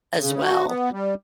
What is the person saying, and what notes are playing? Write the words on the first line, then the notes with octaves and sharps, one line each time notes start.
as well.
C#3
F#4
B3
G3